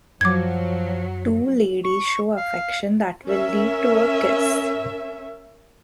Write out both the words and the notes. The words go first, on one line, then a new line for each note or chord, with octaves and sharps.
Two ladies show affection that will lead to a kiss.
F#2 F3 F#3 D6 G#6
C#6
F5
C#4 A#4 E5